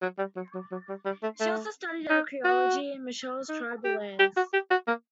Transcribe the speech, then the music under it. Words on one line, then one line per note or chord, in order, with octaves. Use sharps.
She also studied archaeology in Michelle's tribal lands.
F#3
G3
F#3
F#3
F#3
G3
G3
A3
A3
D#4
F#4
D#4
G4
G4
F#4
G4
F#4
A#3